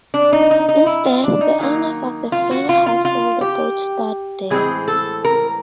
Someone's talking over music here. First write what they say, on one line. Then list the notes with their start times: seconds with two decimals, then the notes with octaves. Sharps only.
Instead, the owners of the ferry house sold the boat stored there.
0.14 D4
0.33 D#4
0.51 D#4
0.69 D#4
0.86 E4
1.05 F4
1.24 D4
1.41 D#4
1.59 D#3 F#3 A#3
2.32 F4
2.51 F#4
2.69 F4
2.86 F4
3.05 F4
3.41 G4
4.50 A2 E3 G#3 C4 G#4
4.88 A4
5.25 A#4